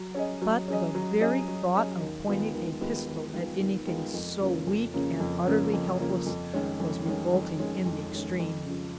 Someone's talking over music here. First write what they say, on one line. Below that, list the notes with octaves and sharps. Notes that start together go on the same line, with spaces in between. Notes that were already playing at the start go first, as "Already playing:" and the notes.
But the very thought of pointing a pistol at anything so weak and utterly helpless was revolting in the extreme.
Already playing: F#3
C#4 G#4 D#5
F#3
C#4 G#4 D#5
F#3
C#4 G#4 D#5
F#3
C#4 G#4 D#5
D#2
D#3 G#3 B3 F4
D#2
D#3 G#3 B3 F4
D#2
D#3 G#3 B3 F4
D#2
D#3 G#3 B3 F4
F2
C#3 F3 A#3 C#4
F2
C#3 F3 A#3 C#4
F2
C#3 F3 A#3 C#4
F2
C#3 F3 A#3 C#4
F2
D#3 G#3 C#4
F2
D#3 G#3 C#4
F2
D#3 G#3 C#4
F2
D#3 G#3 C#4
F2
C#3 F3